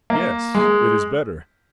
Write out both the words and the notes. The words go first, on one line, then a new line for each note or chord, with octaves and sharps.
"Yes, it is better."
A#3
G#3